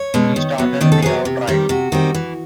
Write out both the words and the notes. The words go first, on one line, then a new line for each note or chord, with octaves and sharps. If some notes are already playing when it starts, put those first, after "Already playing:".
He started me out right.
Already playing: C#5
B2 G#3 C#4
D#3
F#3 B3
D#3 D5
A4
F#3 B3 G#4
C3
D#3 G3 C4
C3 F#4
D#3 G3 C4
E3